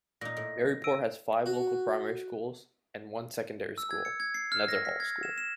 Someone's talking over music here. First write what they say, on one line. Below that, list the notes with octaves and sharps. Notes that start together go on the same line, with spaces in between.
Maryport has five local primary schools, and one secondary school, Netherhall School.
A#2 D#4 A#6
A2
E6 D7 D#7
F#4
E6
G#6
C#7
G#6
C7
F6
A#6
B6
G#6
E7
E7